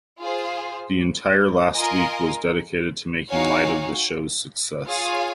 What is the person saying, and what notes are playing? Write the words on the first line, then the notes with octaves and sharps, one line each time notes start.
The entire last week was dedicated to making light of the show's "success".
F4 G#4 C5
F4 A#4 D#5 G#5
D#4 F#4 C#5 F5 G#5
F4 G#4 C#5 F5 G#5